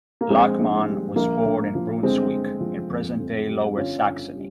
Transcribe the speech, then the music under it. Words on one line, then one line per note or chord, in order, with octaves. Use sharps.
Lachmann was born in Brunswick, in present-day Lower Saxony.
A#3
A#1 G#3 C4
A#1
G3
A#1 A#3
A#1
F3
G1 G#3 C4
G1
F3
F2
F2
G3
G1 C#4 F4
G1
G3